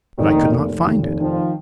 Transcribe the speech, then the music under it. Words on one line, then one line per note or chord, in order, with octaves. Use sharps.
But I could not find it.
F1 D#3
A#3
F1
F1
D#2
F1
D#3 F3